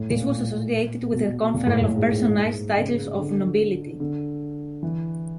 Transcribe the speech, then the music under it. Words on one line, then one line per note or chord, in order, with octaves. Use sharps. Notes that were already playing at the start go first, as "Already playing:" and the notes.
This was associated with the conferral of personalized titles of nobility.
Already playing: A2
A#2
B2
A#2
A2
A2
G#2
C#3
D3
D3
E3